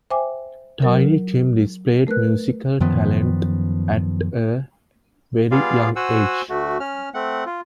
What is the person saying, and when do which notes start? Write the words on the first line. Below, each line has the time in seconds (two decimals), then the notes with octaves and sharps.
Tiny Tim displayed musical talent at a very young age.
0.11 C5 E5 G5 G#5 D6
0.82 F#3 A#4
2.07 A3 A#4 B4 F#6
2.81 F#2 D#3 F3 B3
5.51 G3 B3 F4 G#4 D5 F5
5.96 F#4 C5 F#5 G#5 E6
6.49 D2 A3 F#4
6.80 C#4 F6
7.14 A3 C4 F#5
7.46 F4